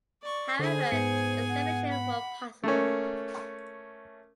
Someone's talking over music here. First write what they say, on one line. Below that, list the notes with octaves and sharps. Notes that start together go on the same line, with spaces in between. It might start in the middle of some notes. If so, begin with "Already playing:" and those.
However, estimations were possible.
D5 C#6
D3 G#4 C5 G#5
G#2 B3 C#7
F#5
B5
A3 A#3 C#4